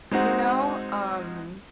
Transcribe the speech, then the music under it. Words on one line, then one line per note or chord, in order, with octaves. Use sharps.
you know? Um,
G#3 C4 D#4 F#4